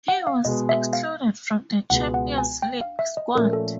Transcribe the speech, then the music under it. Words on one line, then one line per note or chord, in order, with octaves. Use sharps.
He was excluded from the Champions League squad.
F#5
F5
B2 G#3 B3 D#5
E5
F5
C#2 B2 G#3 B3 F#5
F#5
G#5
G5
F5
E5
D#5
A#2 F3 A3 C#4 A#4
A4